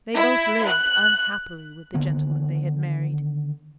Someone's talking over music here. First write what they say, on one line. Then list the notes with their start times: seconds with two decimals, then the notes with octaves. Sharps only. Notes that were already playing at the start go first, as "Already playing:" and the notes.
They both lived unhappily with the gentlemen they had married.
0.15 E4
0.67 F#6
1.94 D3 D#3 A#3 B3